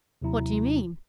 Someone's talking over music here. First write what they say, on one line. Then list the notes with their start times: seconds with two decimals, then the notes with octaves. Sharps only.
"What do you mean?"
0.22 D#2 C3 F#3 E4 A#5